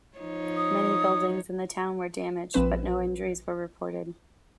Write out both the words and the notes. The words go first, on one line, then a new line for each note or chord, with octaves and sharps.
Many buildings in the town were damaged, but no injuries were reported.
F3 D#4 C#5
D#6
A#1 F3 C4 B4 E7